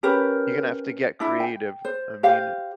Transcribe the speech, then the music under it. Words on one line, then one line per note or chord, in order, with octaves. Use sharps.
You're gonna have to get creative, I mean,
C#4 G4 A#4 B4
D4 E4
G5
C5
G4 C5 F5